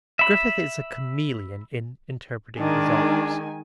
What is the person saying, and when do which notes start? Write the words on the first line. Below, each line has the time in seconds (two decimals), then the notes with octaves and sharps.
Griffith is a chameleon in interpreting his authors.
0.19 E5 B5
2.58 D#3 G#3 D4 G#5